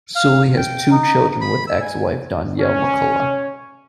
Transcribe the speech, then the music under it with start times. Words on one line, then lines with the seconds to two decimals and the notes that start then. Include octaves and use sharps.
Suli has two children with ex-wife Donyell McCullough.
0.16 F5
0.57 G5
0.91 D#4
1.41 B5
1.68 E6
1.81 G#5
2.60 C#4